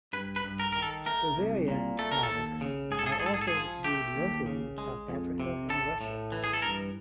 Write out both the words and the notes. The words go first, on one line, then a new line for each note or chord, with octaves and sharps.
Bavaria products are also brewed locally in South Africa and Russia.
G2 B4
B4
G2
A#4
D#3 A#4
A4
A3 A#4
C2
A#2
A3 A4
A#4
A4
D#2
C#3
G#2 G#4
A4
G#4
A4
G#4
G#2 A4
G#4
A4
G#4
F3
A3 G4
D#2
C#3
G#3
F2
C3
A2 A4
A2
E3
G#4
A4
G2 A#4